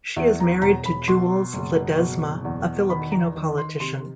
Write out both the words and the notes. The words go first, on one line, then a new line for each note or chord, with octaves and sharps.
She is married to Jules Ledesma, a Filipino politician.
E2 E5
A#5
E1 A#5
B5
B2 C6
F#1
B2
E2
D#3 B5
A#5
D#3
C6
C3 C6